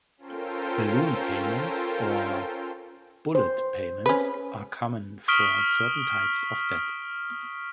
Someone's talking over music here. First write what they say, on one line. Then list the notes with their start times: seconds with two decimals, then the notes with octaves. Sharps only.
Balloon payments or bullet payments are common for certain types of debt.
0.17 C#4 F4 A4 A#4 C5 G5
3.35 C5
4.06 C#4 B4
5.28 C#6 D#6 F6 B6 D7 G7